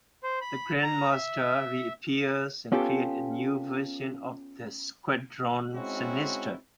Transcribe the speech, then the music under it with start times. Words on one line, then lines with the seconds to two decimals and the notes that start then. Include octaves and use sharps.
The Grandmaster reappears and creates a new version of the Squadron Sinister.
0.23 C5
0.41 B5
0.83 A#5
1.12 E5
2.72 B3 C#4 F4 G4 A4
5.75 G#3 C4 C#4 D#4 E4 F#4